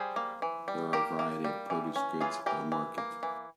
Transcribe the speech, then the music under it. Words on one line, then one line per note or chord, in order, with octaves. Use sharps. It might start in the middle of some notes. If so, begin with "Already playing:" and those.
There are a variety of produce goods at a market.
Already playing: G3 G#4 C5
A#3
E3
G3
A#3 G4 A#4
A#3
G3
E3
C#4
E3 F4 G#4
E3 G4 A#4
E3
A#3
E3